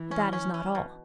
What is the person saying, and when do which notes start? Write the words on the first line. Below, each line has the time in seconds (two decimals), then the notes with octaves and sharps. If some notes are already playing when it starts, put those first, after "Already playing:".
But that is not all.
Already playing: E3
0.11 C#4
0.33 C#4
0.54 C#4
0.75 B2